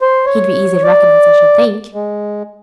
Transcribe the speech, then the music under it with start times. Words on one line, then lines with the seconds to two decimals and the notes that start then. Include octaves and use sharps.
He'd be easy to recognise, I should think.'
0.01 C5
0.26 C#5
0.83 D5
1.94 G#3